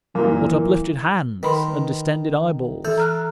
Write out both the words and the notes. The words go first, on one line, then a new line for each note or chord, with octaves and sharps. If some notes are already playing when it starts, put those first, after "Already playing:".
What uplifted hands and distended eyeballs!
F#2 A#2 E3 A#3
D#3 B4 B5 C6
E3 A4
A#5 F6 F#6